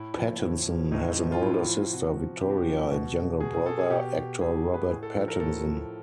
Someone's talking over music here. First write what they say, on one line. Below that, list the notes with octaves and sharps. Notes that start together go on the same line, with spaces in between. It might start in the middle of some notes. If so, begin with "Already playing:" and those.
Pattinson has an older sister, Victoria, and younger brother, actor Robert Pattinson.
Already playing: A2 E4
F3
A2
F3
A2 D#4
F3
F4
A2 E4
F3
C3 F#4
F3
C3 G4
F#4
G4
F3
B2
B2 G#4
G#4
A4
G#4
B2 G4
B2 G#4
B4
A2 G#4
A4
F3 A4
A#4
A2 A4
F3